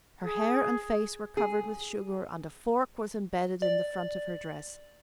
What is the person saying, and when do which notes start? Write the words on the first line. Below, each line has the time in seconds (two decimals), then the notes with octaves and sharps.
Her hair and face were covered with sugar and a fork was embedded in the front of her dress.
0.23 G#4
1.37 G#4
3.62 D5